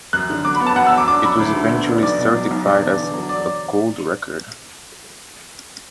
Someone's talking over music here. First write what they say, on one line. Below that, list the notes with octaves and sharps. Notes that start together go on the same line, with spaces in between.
It was eventually certified as a gold record.
F#2 F#6
D3
F#3 D6
B5
B3
A5
F#2 F#5
E6
F#3
D6
D4 D6
F#2 B5
D2
D3
B3
D4
B1 D5
B2
F#3
B1
E1 D5
E2
D3
F#3
D5